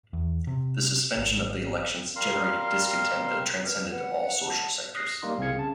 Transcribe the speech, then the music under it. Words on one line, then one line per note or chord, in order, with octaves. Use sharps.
The suspension of the elections generated discontent that transcended all social sectors.
E2
C3
G#1
G3 A#4 F5 C6
B4 F6
B4 F#5
A5
D#6 F#6 A#6 C7
G3 A#3 D#4 C6
C2 C4 G#4 F5 G#6 C#7
C#3 A5